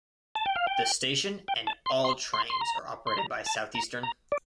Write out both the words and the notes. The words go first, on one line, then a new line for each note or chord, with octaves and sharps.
The station and all trains are operated by Southeastern.
A5
G5
F5
G5
G5
A5
C6
C6
C6
C6
A#5
C6
A#5
A5
A#5
A#5
D5